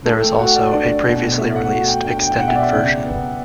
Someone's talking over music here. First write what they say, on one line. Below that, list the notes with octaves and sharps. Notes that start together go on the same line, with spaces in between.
There is also a previously released extended version.
A3 A5
G5
F#4 F#5
D5
D4 D5
B2
A3 E5
F#5
F#4
G5
D4 G5
G5
B2 F#5
E5
D5
C#3
B3